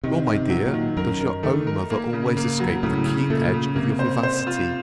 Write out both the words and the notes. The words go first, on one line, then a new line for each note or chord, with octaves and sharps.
Nor, my dear, does your own mother always escape the keen edge of your vivacity.
C3 D#3
D#3
C3
F#3
A#2
D#3
F#2 A#4
A#4
D#3 A3
A#4
A#3
C#3
A#3
F#3
A2 C#3
C#3
A#2 A3
C#3
C3 A#3
C5
C5
F4